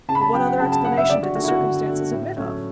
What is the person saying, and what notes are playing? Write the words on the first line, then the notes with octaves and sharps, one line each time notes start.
But what other explanation did the circumstances admit of?
C#3 A5
B5
A5
F#3 C#4 G5
F#5
C#3 A5
A5
F#3 C#4 F#5
E5
D3 D5
F#4
A3 D4 F#4
E4
F#4
D3
A3 D4
A2
F#3 A3 C#4